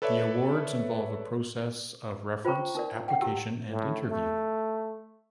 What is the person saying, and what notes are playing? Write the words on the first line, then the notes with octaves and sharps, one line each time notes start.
The awards involve a process of reference, application and interview.
A4 B4 C#5 D5 E5
F4 C5 G5 A#5 C#6
D#4 A#4 D5
F#5 G5
E4 G4 E6
A2
A3